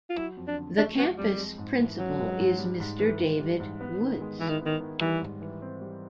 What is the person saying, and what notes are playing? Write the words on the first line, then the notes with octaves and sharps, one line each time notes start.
The Campus Principal is Mr David Woods.
F4
F#3 E4
F2
D4
D3
A3 D4
F#3 B3
F2 G3
G#3
G#2
E3
F#3 C#4
G#3
G#2
G3
G#2
E3
G#2
G3
G#2
B3
D#3
G#3
E3 E4
D#3
D#3 B3
D#3
E3 G3
G#2
E3
C4
G3